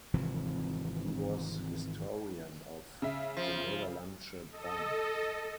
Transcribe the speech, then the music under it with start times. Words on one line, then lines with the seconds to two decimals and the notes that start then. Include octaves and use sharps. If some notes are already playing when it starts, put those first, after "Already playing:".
He was historian of De Nederlandsche Bank.
0.14 G#1 C3 E3 F3
3.02 C#3 E5
3.37 F3
4.52 A4 D#5